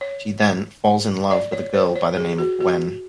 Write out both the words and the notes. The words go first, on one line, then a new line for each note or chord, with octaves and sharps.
She then "falls in love" with a girl by the name of Gwen.
C#5
D5
C#5
C5
C#5
G#4
F#4
F#4